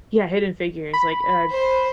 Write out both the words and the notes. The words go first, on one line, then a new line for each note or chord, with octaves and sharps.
Yeah, Hidden Figures, like, uh,
B5
C5